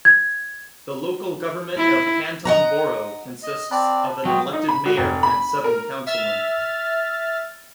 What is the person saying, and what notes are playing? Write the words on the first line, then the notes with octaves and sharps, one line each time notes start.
The local government of Canton Borough consists of an elected mayor and seven councilmen.
G#6
E4
D#5 F#5 A#5
D#5
C4 D5 A5 B5 F#6
F#3 G#3 B3 F#5 G5 D#6
D#4
B5
F#4
F1
B5
A#4
E5 F6 A6